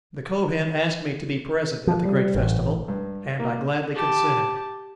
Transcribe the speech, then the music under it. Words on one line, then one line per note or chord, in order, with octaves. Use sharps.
The Kohen asked me to be present at the great festival, and I gladly consented.
F3
G3
A1
A1
G2
A#3
G4 A5